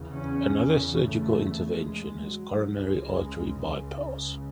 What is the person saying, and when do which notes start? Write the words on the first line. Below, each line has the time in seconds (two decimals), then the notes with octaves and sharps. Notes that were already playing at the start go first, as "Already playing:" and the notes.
Another surgical intervention is coronary artery bypass.
Already playing: E2 C#3
0.14 C#4
0.97 A3
1.80 G#3
2.21 F#3
2.62 C#2 C#3 G#3